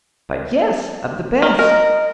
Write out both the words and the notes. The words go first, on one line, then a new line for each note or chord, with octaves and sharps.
'But yes, of the best!'
D#3
A#4 D#5